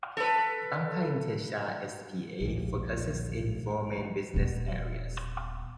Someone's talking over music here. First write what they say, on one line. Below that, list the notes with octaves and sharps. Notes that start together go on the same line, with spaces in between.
Banca Intesa S.p.A. focuses in four main business areas.
A4 B4
A#1 D#2
D#1 B3